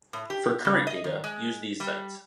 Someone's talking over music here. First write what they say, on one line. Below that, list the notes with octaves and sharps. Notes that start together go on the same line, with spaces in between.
For current data, use these sites.
A2
G4
C#3
D#5
D#3
G#3
G3